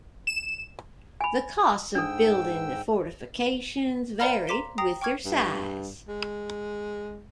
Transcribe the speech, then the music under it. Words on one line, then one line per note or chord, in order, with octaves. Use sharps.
The costs of building the fortifications varied with their size.
E7
G#5 B5
G#2 D4 A4 G5 E6
C5 D5 F5 A#5 B5 F6
A#5 C6 D6 B6 E7 G7
G5 A#5 D#6 A#6 C7
G5 C#6 D6 F6 G#6
G2
G#3